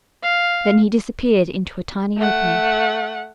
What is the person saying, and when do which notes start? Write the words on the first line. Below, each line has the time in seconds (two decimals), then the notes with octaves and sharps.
Then he disappeared into a tiny opening.
0.23 F5
2.17 A3 F#5